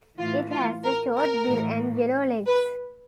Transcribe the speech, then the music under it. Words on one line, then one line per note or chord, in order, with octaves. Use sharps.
It has a short bill and yellow legs.
A2 E3 F4
F4
A#4
A#4
A2 E3
B4